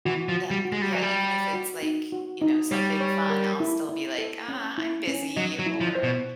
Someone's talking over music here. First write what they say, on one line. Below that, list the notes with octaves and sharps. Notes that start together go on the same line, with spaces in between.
Yeah, yeah, even if it's like, you know, something fun, I'll still be like, "Uh, I'm busy," or
E3 F#4
F3
F#4
G3
F#4
G#3
G3
F#3 D5
G3
D5
F#4
D#4
F#4
D#4
G3 C#5
C#5
A#4
E4
E4
A4
C#4
E4
C#4
F#3 D#5
F#3
E4
F3
C5
B2